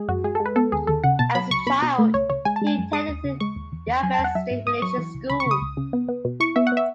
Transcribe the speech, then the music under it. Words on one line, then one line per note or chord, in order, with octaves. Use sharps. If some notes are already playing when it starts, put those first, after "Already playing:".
As a child, he attended the Yavetz State Religious School.
Already playing: G#3 G#4
F#2 F#4
G#3 G#4
A4
G#3
B4
B3 A4
D#2 G#4
D#2 A4
C#3 F#5
B2 A5
F#3 B5
C#2 C#6
B2 B5
B2
A3
C#2 C#5
C#2 C#5
G#3 G#5
A5
G#3
G#5
F#2
G#3 D#6
D#2
C#3
G#3 C#6
D#2
E2
E2
F#3 G#5
A5
E2
F#5
F#3 E5
G#2
G#2 D#6
F#3 C#6
E3
C#2
C#2 B5
C#6
C#3 D#6
C#2
C#3
B3
B3
B2
E4 C#6
B3 E5
F#5
B3 E5